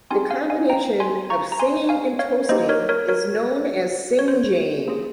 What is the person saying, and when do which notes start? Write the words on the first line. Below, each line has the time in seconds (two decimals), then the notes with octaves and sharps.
The combination of singing and toasting is known as singjaying.
0.10 C4 D#4 G4 G#5 C6
0.30 F5 G#5
0.50 F5 G#5
0.70 G5 A#5
1.00 G#5 C6
1.30 A#5 C#6
1.52 A#5
1.60 G#5 C6
1.89 F5 G#5
2.19 C#5 F5
2.49 A#3 D#4 G4 C5 D#5
2.69 A#4 C#5
2.89 A#4 C#5
3.09 A#4 C#5
4.19 C#5
4.28 C5
4.88 A#3 F4 G#4